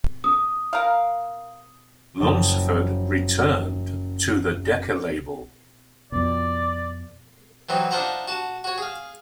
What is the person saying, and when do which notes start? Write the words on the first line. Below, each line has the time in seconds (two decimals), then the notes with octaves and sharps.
Lunceford returned to the Decca label.
0.24 D#6
0.73 A#4 F5
2.20 F#1 F#2 F3 A5 D#6 A6
6.12 F2 B2 D5
7.69 E3 F#3 C4 D#4
7.91 D4 D#4 F4 C5 F#5 A#5
8.28 F#4 A5
8.64 F#4 C#5
8.78 G#4 F5